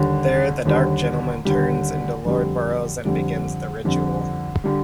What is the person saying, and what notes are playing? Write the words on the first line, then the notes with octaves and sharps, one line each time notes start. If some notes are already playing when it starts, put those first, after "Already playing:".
There, The Dark Gentlemen turns into Lord Burroughs and begins the Ritual.
Already playing: D#2 D3 G3
D#2 D3 G3
D#2 D3 G3
F2 D3 G3
F2 D3 G3
F2 D3 G3
D3 G3